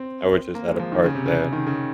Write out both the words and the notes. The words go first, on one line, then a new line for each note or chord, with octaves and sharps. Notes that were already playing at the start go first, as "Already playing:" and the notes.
I was just at a park that
Already playing: C4
A#3
G#3
F3
D#3
C#3
C3
C#3
D#3
C#3